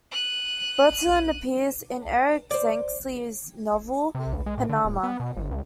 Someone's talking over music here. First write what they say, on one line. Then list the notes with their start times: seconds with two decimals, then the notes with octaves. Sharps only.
Bertillon appears in Eric Zencey's novel "Panama".
0.12 F#6 D#7
2.51 C5 D5
4.15 C3
4.33 D2
4.46 G#3
4.58 A2
4.69 D3
4.84 D1
5.03 B3
5.20 B2
5.37 G1
5.51 C#2